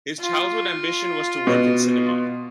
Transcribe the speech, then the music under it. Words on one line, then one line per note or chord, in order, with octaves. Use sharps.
His childhood ambition was to work in cinema.
F4
B2